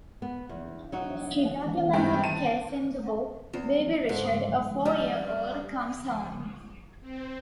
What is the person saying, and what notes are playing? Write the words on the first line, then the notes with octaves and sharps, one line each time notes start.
She documented the case in the book "Baby Richard - A Four-Year-Old Comes Home".
B3
E2
F#3 D#4 F#4
G2 G#3 B3 C4 E4 G5
A5 D#7
E2 C4 F4
G#2 A4 C5
G3 F6
C4